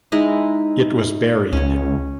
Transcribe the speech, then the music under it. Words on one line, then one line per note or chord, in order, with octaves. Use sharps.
It was buried.
G#3 D#4 E4
C#2 C#4 C#5